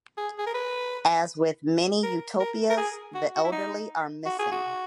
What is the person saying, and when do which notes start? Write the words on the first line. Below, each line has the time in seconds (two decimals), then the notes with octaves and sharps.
As with many utopias, the elderly are missing.
0.17 G#4
0.38 G#4
0.46 A#4
0.54 B4
2.03 A#4
2.40 A#4
2.70 A#4
2.77 G#4
3.15 F#4
3.36 F#4
3.44 E4
3.52 D#4
4.26 F#4
4.39 G#4
4.52 F#4